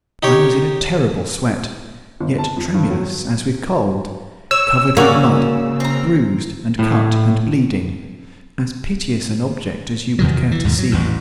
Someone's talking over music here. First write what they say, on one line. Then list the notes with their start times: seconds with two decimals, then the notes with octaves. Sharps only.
I was in a terrible sweat,--yet tremulous as with cold; covered with mud; bruised, and cut, and bleeding,--as piteous an object as you would care to see.
0.23 D#4 G4 C#5
2.21 G1
2.38 A5
2.57 F2
2.74 G2
2.90 F#3
4.51 C#5 E6
4.97 C#3 A#3 C#4 F#4 D5
5.80 C4 A#4
6.79 A2
10.19 E2 C3 D#3 F#3
10.51 E3
10.64 D#2 G#2 B2
10.79 F#3
10.91 A1 E2 A2